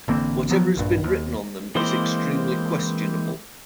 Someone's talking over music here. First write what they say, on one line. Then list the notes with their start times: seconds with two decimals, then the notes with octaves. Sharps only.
Whatever has been written on them is extremely questionable.
0.08 A1 D3 A#3 C4
0.50 F3 F#3 B3
0.77 A#1 G2
1.04 D#2
1.75 E3 G#3 A#3 C4 C5